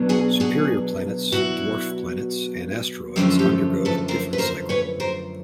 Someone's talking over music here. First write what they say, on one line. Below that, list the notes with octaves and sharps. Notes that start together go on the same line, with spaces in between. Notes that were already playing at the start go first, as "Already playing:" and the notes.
Superior planets, dwarf planets and asteroids undergo a different cycle.
Already playing: B2 F#3 B3 D4
F#4 G#4
F#4 G#4
E4 F#4
F#2 D3 F3 A3 C4 F4 G4
G4 A4
A4 B4
A#4 C5
B4
A#4 C5
B4 C#5
A#4 C5